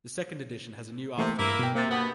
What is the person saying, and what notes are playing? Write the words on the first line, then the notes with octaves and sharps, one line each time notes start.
The second edition has a new afterword.
C3 E3 A3 A#3
G2 A#3 E4
B2 G5
C3 A#3 A6
G2 B2 B3